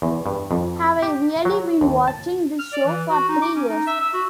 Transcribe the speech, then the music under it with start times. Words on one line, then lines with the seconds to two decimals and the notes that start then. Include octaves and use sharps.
Have I really been watching this show for three years?
0.02 E2
0.26 G2
0.51 F2
1.02 G4
1.45 F#3
1.81 D#2
2.08 A5
2.59 F6
2.73 D5
2.85 E3
3.10 F#4
3.28 D#4
3.42 D6
3.56 C#4
3.68 D#4
3.87 E5
4.01 E6
4.13 F#4